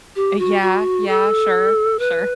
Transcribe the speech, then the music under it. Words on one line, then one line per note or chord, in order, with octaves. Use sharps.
Eh, yeah, yeah. Sure, sure.
G4
F#4
F#4
A4
B4